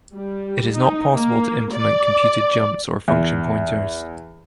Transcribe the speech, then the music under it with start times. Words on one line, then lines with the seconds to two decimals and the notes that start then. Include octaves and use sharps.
It is not possible to implement computed jumps or function pointers.
0.14 G3
0.74 D#4
1.15 A#3
1.73 D5
3.08 E2